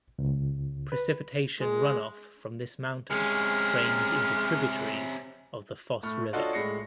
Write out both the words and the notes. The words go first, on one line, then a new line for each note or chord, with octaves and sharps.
Precipitation runoff from this mountain drains into tributaries of the Foss River.
C#2
B4
G#3
C3 G#3 C#4 F6
A2 A3 C#6 F6
D4 F4 F#4 A4 C#5 D#5
A2 G#3 A#6 C7 C#7